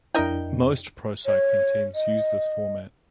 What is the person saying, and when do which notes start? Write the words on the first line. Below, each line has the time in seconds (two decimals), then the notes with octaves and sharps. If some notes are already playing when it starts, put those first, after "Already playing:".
Most pro-cycling teams use this format.
0.15 F2 D4 E4 A#4 D#5 G5
1.26 C#5
1.95 D#5